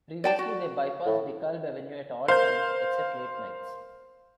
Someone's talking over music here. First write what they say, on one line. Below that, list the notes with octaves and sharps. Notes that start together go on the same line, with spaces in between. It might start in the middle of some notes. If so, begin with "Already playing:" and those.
Previously, they bypassed DeKalb Avenue at all times except late nights.
D5 G5 A5
F#4
A2
A#4 C5 F5 G6